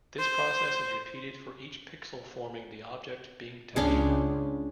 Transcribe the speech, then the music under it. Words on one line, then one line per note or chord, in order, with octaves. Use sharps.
This process is repeated for each pixel forming the object being textured.
C5
C#2 C#4 D4 G#4